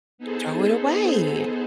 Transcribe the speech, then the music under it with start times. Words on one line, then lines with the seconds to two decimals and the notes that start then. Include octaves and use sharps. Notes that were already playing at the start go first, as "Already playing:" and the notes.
Throw it away.
0.18 B3 D#4 G#4 A4 C5